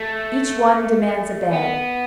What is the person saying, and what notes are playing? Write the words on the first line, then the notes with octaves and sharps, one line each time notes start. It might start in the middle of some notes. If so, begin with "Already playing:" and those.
Each one demands a bed.
Already playing: A3
B3